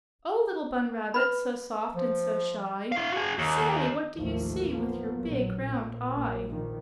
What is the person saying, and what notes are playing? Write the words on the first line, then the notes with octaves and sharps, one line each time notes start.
"Oh, Little Bun Rabbit, so soft and so shy, Say, what do you see with your big, round eye?"
B4 B5
F3
E4 F5
F#4 G#4
D#2
A1 D#2 D#3 F3 A3 A#3
F3 A#3 B3
A#1 F#3
A#2
A#1 A#3
A#2 D#3 F3